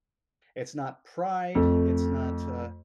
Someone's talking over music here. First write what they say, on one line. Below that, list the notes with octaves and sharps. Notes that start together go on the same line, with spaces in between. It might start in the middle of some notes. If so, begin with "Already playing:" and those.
it's not pride, it's not, uh
F2 A3